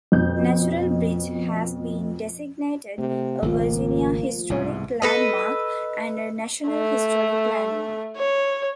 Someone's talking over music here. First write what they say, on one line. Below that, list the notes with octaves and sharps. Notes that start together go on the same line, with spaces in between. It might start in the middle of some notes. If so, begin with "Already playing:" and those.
Natural Bridge has been designated a Virginia Historic Landmark and a National Historic Landmark.
F2 B2 G6
C3 A3
G#1 C#2 F3 A#3 F4
C2 G#2 B2
A4 B4 D#5
A3
C#5